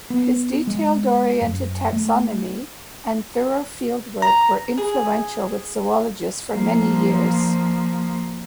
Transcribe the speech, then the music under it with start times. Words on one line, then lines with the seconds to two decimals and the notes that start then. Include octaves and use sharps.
His detail-oriented taxonomy and thorough field work were influential with zoologists for many years.
0.10 B3
0.67 G#3
1.41 F#2
1.93 A3
4.22 A#5
4.78 G#4
6.51 F3 A#3